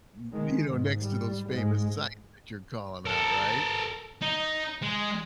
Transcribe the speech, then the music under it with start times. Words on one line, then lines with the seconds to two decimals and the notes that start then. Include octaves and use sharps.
y you know, next to those famous sites that you're calling out, right?
0.32 D#3 G#3
0.66 G#2
1.02 G3
1.48 G#2 G#3
3.06 A4 A#4
4.21 D#4
4.82 G#3